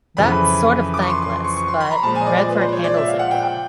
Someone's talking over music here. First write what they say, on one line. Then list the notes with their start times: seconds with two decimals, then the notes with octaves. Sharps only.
That's sort of thankless, but Redford handles it well.
0.17 F2 C#3 E3 B5
0.94 D6
1.02 C#6
1.10 C6
1.22 C6
1.34 C6
1.44 C#6
1.57 C#6
1.68 C6
1.80 B5
1.91 A#5
2.03 A#2 F3 G#3 A5
2.15 G#5
2.21 D#5
2.26 D5
2.38 D5
2.49 B4
2.61 C5
2.72 C#5
2.84 D5
2.97 E5
3.07 F5
3.19 F#5
3.31 G5
3.42 G5